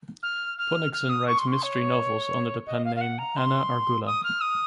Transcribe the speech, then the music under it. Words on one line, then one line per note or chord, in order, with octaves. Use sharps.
Ponicsan writes mystery novels under the pen name Anne Argula.
F6
F6
F6
D#6
C#6
C6
C6
C#5
D#5
F5
F5
F#5
A#5
C6
D#6
F6
D#6